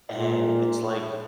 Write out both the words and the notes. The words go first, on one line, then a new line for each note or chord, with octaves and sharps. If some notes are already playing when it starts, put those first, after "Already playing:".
And it's like
A#2